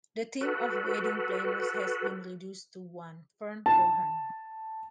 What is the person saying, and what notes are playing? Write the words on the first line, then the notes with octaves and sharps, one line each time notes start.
The team of wedding planners has been reduced to one: Fern Cohen.
F#4 A4 B4
A5